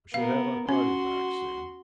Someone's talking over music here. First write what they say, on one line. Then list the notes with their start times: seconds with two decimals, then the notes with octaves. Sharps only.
We should have our party back soon.
0.14 B3 A#4 F5
0.69 C#4 F#4 C6